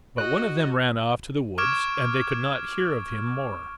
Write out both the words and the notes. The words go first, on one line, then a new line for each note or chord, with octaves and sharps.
But one of them ran off to the woods, and they could not hear of him more.
F#4 D#5 F#6
C#6 D6 F6 G#6 D7 E7